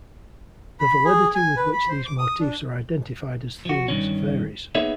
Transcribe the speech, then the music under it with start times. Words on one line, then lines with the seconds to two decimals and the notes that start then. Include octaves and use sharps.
The validity with which these motifs are identified as themes varies.
0.80 B5
1.05 G#4
1.35 G#5
1.57 B4
1.73 B5
1.89 C5
2.06 D6
2.18 D#6
2.40 D4
3.65 F3 F#4
3.88 G2 D#3 C#4
4.75 A#3 B3 D#4 G#4 C#5 E5